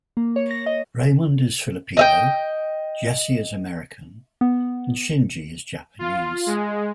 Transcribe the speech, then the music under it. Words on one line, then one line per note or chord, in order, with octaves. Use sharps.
Raimund is Filipino, Jesse is American, and Shinji is Japanese.
A#3
C#5
A#6
D#5
D#5 E5 G5
B3
F4
G#3